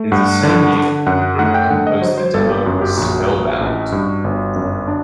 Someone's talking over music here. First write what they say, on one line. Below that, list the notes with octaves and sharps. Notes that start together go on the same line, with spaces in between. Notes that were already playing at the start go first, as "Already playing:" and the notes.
In the same year, the group composed the demo "Spellbound".
Already playing: A3
G2 F#5
D3
D3
F#2 F#5
A3 F#5
G5
D3 F#5
D#5
F#3 C5
C5
G1 A4
G4
F#2 F#4
G4
A#1 F#4
A#1
A1
G2
G1
F#2
D4